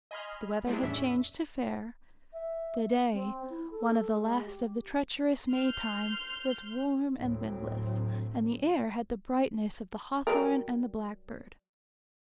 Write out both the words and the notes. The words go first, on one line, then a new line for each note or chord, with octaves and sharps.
The weather had changed to fair; the day, one of the last of the treacherous May-time, was warm and windless, and the air had the brightness of the hawthorn and the blackbird.
D#5 G#5 B5 C6 F6
G3 G#3 C4 D4 E4
E2 A2 C#4 D4 E5 B6
E5
C4
E4
A4
G#3
G4
C6 F6 G6
D2 A2 F#3 C4
F#3 G3 A#4